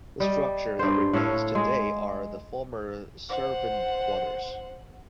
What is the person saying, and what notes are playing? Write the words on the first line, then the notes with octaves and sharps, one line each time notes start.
The structure that remains today are the former servant quarters.
G3 D#5
G2 C5
A2 A4 C#5 F5
G#3 G#4
C5 F#5